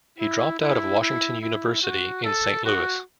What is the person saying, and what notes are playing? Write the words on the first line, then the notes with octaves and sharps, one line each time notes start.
He dropped out of Washington University in Saint Louis.
E4
E4
E4
E4
F#4
A4
F#4